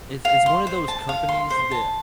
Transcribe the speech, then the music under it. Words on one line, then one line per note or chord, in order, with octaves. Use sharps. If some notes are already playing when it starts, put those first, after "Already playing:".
it's it's one of those companies that
F5
C6
C5
A5
F5
C6
C5
A5